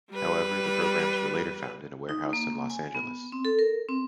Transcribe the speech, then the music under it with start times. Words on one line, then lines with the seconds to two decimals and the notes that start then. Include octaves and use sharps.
However, the programs were later found in a warehouse in Los Angeles.
0.11 G3 B4
2.09 D#4
2.33 A#3
2.70 G#5
2.95 B3
3.32 C4
3.45 A4
3.59 A#4
3.89 C4